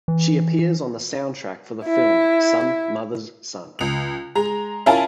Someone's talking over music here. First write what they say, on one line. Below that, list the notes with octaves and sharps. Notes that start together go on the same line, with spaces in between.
She appears on the soundtrack for the film "Some Mother's Son".
E3
E4
C#2 F7
G#3 A#5
C#4 E4 F4 A#4 G#5 A5